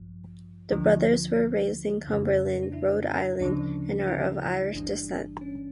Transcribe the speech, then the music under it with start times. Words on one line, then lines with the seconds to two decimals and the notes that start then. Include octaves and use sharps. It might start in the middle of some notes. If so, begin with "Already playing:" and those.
The brothers were raised in Cumberland, Rhode Island and are of Irish descent.
Already playing: A1 G2 F3
0.71 D2 D3 F3
2.06 F2 C#3 E3
2.63 D4
2.73 E4
3.40 D2 C#3 F3 D4
4.08 E4
4.74 G1 G2 E3 G3 D4
5.41 C#4